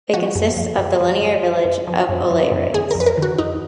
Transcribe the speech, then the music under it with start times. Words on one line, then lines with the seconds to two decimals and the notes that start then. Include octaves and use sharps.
It consists of the linear village of Oleyres.
0.13 F3 F#4
0.35 F#2
0.57 F3
0.78 F#2
1.01 F3
1.22 F#2
1.44 F3
1.65 F#2
1.87 F3
2.09 F#2
2.30 F3
2.52 F#2
2.74 D#3 G#4
2.91 F2 A#4
3.00 B4
3.06 A#4
3.17 D#3 F#4
3.38 F2 D#4